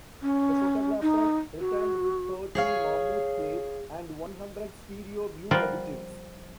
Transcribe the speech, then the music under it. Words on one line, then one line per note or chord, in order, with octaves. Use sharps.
The photographer returned with thirty mammoth plate and one hundred stereo view negatives.
C#4
D#4
F#4
G#4 C#5 F5
F3 G3 F4 A#4 F#5 G5